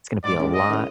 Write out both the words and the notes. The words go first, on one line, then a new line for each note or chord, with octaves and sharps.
it's gonna be a lot
G#2 D5
D#3 G#3 C#4 E4
G#2 D#5
D#3 G#3 C#4 E4